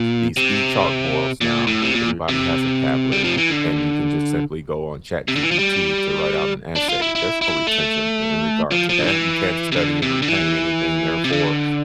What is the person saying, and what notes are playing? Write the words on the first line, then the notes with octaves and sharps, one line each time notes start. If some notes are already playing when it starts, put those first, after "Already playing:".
these e-chalkboards now. Everybody has a tablet, and you can just simply go on ChatGPT to write out an essay. There's no retention in regard to that. You can't study and retain anything. Therefore,
Already playing: A#2
C3
A#2
A2
C3
A#2
C3
G3
F3
E3
D3
C3
D3
E3
F3
G3
D4
F4
E4
E4
E4
A3
F3
F3
D3
E3
C3
D3
C3
D3
E3
C3
D3